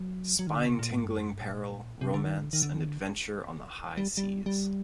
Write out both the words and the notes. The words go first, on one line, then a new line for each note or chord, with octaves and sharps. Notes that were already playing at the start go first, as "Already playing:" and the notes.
Spine-tingling peril, romance and adventure on the high seas!
Already playing: F#3
F#3
D#3
D3
C3
A#2
A2
G2
F#2
G2
A#2
C3
D3
D#3
D3
D#3
D3
D#3
D3
G3
G3
G3